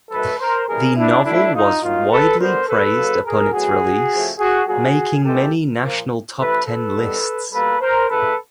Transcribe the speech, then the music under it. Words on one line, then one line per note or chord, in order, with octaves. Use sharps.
The novel was widely praised upon its release, making many national top ten lists.
D#3 F#3 A3 A4 B4
A#4 C5
C#3 E3 G3 B3 G#4 A#4
D4 E4
D3 F#3 A3 D4 E4
D#4 F4
D#3 F#3 A#3 D#4 F4
A4 B4
D3 G3 B3 A#4 C5
A4 B4
C#3 F#3 A#3
G#4 A#4
A2 F#3 B3 F#4 G#4
C#3 F3 A3
F#4 G#4
A#2 F#3 A#3 F#4 G#4
A2 F3 G#3 B3 G4 A4
A#2 F3 A#3
C3 E3 A3 A4 B4
A4 B4
D#3 G3 B3
B2 G3 A#3 A4 B4
A#4 C5
C#3 E3 A3 A4 B4